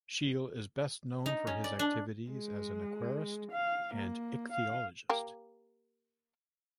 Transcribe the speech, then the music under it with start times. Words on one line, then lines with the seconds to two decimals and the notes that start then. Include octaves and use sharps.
Scheel is best known for his activities as an aquarist and ichthyologist.
1.26 D#4
1.47 C#4
1.64 D5
1.79 D4
2.30 G#3
3.52 F5
3.94 A#3
4.52 F5
5.09 A#3 G4